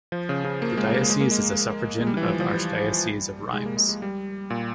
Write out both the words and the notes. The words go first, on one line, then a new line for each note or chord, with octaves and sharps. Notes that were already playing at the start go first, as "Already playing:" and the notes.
The diocese is a suffragan of the Archdiocese of Reims.
F3
C#3
C#3
A#3
G#3
A#3
G#3
A#3
G#3
G#3
G3
E3
F3
F3
G3
G#3
A#3
G#3
G#3
G3
A#2